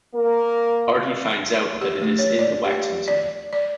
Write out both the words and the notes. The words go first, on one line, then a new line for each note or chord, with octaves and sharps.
Artie finds out that it is in the wax museum.
A#3 A#4
G4
A3
C#5
D5
G4
D5
D5